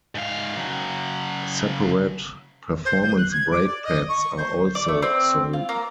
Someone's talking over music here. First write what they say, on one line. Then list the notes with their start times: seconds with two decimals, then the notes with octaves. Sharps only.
Separate performance brake pads are also sold.
0.15 G#2 F5
0.57 C#3 F#3
2.84 C5
3.02 G6
3.17 F#6
3.31 G#6
3.51 D6
3.66 D5
3.83 D#5
4.08 C#6
4.37 C5
4.75 D5
4.88 A3
5.02 C4
5.53 F4
5.69 A#3